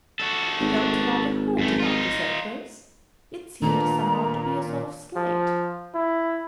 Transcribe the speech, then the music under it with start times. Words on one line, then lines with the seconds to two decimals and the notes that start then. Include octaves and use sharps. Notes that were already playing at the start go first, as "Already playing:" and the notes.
I felt rather hurt about this at first; it seemed somehow to be a sort of slight.
0.20 F#4 A4
0.60 G#1
1.59 F#2 A3
1.80 D#4 F4
3.62 A#2 D#3 A#3 B3 D4 A#5
5.16 F3
5.94 E4